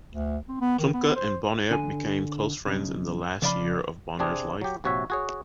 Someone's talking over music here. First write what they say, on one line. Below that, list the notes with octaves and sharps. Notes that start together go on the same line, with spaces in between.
Klumpke and Bonheur became close friends in the last year of Bonheur's life.
D2
C4
B3
D#3
B3
C5
D3 G#5
B1 C#3
C#3 F3 D5 F5 B5
C3 C4 D4 G#4
F#3 G4
A#1 C3 F#4 C#5 E5
F#4 G#4 C#5